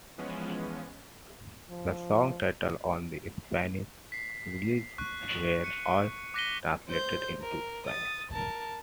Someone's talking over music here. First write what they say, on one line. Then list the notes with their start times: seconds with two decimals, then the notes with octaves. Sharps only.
The song titles on the Spanish release were all translated into Spanish.
0.18 E3 F3 G#3 B3 C#4
1.70 F3
4.12 B6 C7
4.98 C#6 F#6
5.64 C#7 D#7
6.34 D6 F#6 A#6 B6 D#7 G7
6.88 C5 G6
7.42 A#4
7.86 D#6 A6
8.31 A#4 A5